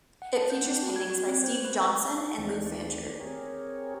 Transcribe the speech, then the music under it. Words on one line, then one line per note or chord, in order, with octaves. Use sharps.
It features paintings by Steve Johnson and Lou Fancher.
F#5
A5
G6
C4
F#4
G#6
F#4
C4
C5
B4
D#2 D#3 E3 A3 C4 D5
C4 G4 G#4 A#4 C#5